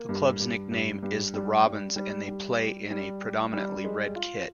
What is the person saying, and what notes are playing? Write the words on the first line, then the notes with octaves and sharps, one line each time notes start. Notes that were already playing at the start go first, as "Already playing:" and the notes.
The club's nickname is the Robins and they play in a predominantly red kit.
Already playing: A#3
G2
G2
G2
G2
G3
G3
G3
G3
G4
G3
G4
G3
G#3
F4